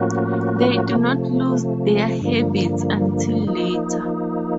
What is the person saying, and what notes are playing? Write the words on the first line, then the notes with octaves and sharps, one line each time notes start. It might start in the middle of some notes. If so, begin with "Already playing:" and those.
They do not lose their habits until later.
Already playing: A2 F3 A#3 C#4 F#4
C3 F3 A3
G2 D3 F3 A#3
F3 A#3 D#4